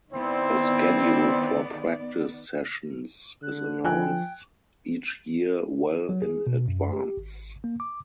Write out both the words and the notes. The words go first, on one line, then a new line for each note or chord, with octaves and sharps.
A schedule for practice sessions is announced each year well in advance.
D#3 B3 C4 E4 C5 D5
D3 F#6
F3 G5 G#5 F#6
F#3
G#4
B2
F#2
G4
G#1
A#3
D6